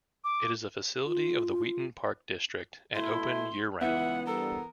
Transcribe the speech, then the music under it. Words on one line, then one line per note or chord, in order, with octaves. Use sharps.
It is a facility of the Wheaton Park District and open year round.
D6
F4
B2 A3 E4 C6
C#2 E3 B3 E5 F#5
G2 A4 A#4